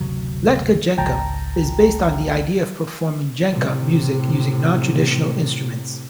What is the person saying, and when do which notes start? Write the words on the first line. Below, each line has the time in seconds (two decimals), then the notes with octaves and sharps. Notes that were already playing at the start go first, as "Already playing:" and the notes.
Letkajenkka is based on the idea of performing Jenkka music using non-traditional instruments.
0.01 F#1 D2 C3 F#3
0.97 G#1 C#2 G5 A5 A#5
3.50 A2 C3